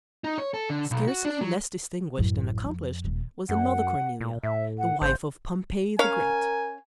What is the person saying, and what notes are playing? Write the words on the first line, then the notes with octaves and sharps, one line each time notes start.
Scarcely less distinguished and accomplished was another Cornelia, the wife of Pompey, the Great.
D#4
C#5
A4
D3
B1
F#4
D4
F#3
A1 F#2
F2
D#1 D#3
F#2 F#5
A#2
A2 E5
F#5
G#1 C5
C#4 A#4 C#5 F5 G#5